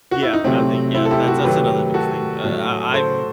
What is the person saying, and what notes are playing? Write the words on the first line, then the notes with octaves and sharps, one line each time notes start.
Yeah, I think yeah. That's that's another big thing. Uh, I I'm
F#4
E4
D#4
C3 F#3 A3 C4
C4 E4
A4
E4 G4
F#4 A4
D#3 F#3 A3 G4 B4
F#4 A4
A2 F#3 A3
A4 C5